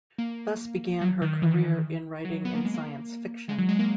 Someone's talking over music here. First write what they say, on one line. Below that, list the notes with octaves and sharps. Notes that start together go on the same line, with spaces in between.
Thus began her career in writing in science fiction.
A#3
F#3
D#3
E3
F#3
B3
A#3
G#3
A#3
G#3
F#3
G#3
A#3